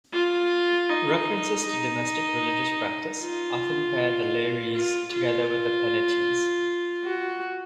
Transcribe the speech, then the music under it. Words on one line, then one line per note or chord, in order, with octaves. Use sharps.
References to domestic religious practice often pair the Lares together with the Penates.
F4
D#4
D#4
F4
F4
F4
F#4